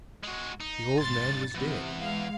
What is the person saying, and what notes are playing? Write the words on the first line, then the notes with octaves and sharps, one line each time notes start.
The old man was dead.
G#3 F#4
D#4
G#1 G2 C6 A6
C3 E3 B3
G#3 F5